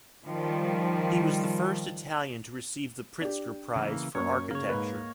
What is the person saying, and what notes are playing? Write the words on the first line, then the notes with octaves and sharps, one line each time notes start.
He was the first Italian to receive the Pritzker Prize for architecture.
D#3 F3 G3
D4 G4
C#3 E3 A#3
F#2 A#3 C#5
C#3 A#3 C#5
G#2 B4